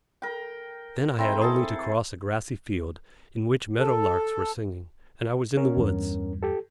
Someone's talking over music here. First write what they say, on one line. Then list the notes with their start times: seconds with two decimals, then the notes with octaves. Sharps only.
Then I had only to cross a grassy field, in which meadow larks were singing, and I was in the woods.
0.22 A#4 G5
1.18 C4 E4 G5 A#5
1.41 G#4 A4 A5
3.78 A4
5.57 C#4 A#4
5.77 E2 G2
6.43 G4 A4